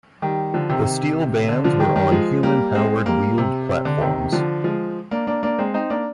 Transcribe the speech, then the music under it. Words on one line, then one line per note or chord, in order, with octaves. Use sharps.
The steel bands were on human-powered wheeled platforms.
D#3 G3
D3 F3
C3 D#3
D3
D3 F3
D#3 G3
D#3 G3
F3 G#3
G3 A#3
G#3 C4
G3 A#3
C3
C3
D3
C3 D#3
D3 F3
F3 G#3
A#3 D4
A#3 D4
A#3 D4
G#3 C4
C4 D#4
A#3 D4